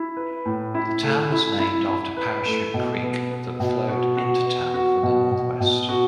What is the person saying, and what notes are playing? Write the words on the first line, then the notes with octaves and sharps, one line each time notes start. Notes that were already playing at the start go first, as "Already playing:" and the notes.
The town was named after Parachute Creek, that flowed into town from the northwest.
Already playing: E4
B4
A2
E4
A3
E4
E4
E4
B4
A3
B2
B3
B3
B2
F#4
F#4
B3
F#4
B2
B2
B2
F#4